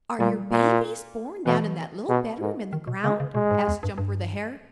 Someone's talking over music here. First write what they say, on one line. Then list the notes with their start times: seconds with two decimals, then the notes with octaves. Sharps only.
"Are your babies born down in that little bedroom in the ground?" asked Jumper the Hare.
0.19 A#2 G3
0.51 A#2
1.46 B2 E3
2.09 B2
2.40 G#2
2.73 D#3
2.87 B2
3.04 C#3 G#3
3.20 C#3
3.35 B2 G#3
3.51 G#2
3.67 E2
3.83 G2
3.98 G2